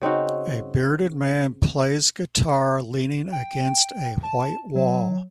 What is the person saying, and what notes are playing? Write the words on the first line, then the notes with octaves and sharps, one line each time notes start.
A bearded man plays guitar leaning against a white wall.
C#3 C4 D#4 F#4
G5
A5
F#3